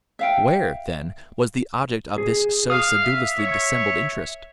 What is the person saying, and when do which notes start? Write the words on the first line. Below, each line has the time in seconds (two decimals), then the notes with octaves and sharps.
Where, then, was the object of this so sedulously dissembled interest?
0.19 E5 F5 G5
2.18 G#4
2.70 F5 D#6 F6
3.03 E5
3.40 C#5